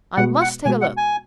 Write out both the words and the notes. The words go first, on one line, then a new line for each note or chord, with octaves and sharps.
I must take a look.
B2 G#3 B3 F#4 F#5
F#5
B2 G#3 B3 F#4 G#5
F#5
G#5